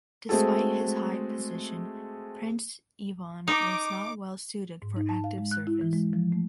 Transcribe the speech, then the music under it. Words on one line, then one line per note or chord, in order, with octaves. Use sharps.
Despite his high position, Prince Ivan was not well suited for active service.
G#3 A3 C4 F#4 G#4 A4
D#4 D6
G#2
D#4
A5
F5
G#3
F#6
E4
E3
G#3
F3
A3